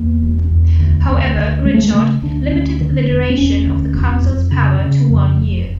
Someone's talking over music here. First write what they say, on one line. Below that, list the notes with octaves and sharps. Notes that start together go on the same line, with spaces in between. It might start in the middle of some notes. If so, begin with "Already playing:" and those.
However, Richard limited the duration of the Council's powers to one year.
Already playing: E2 A#3
E1
E2
D2
D2
D2
D2 G#3
A3
G#3
C#3 A3
D2 D4
D4
D2 C#4
D3
E1
C4
E1 C#4
D2
E1
F2
C#3
C#3
F2
F1